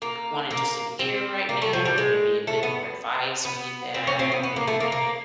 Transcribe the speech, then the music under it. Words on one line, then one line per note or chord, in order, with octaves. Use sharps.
wanting just an ear right now or maybe a bit more advice, feedback? What are you thinking?
A#3
A#3
C4
A#3
A3
F3
G3
G#3
A3
B3
B3
C4
C#4
C4
B3
B3
A#3
A3
A#3
A#3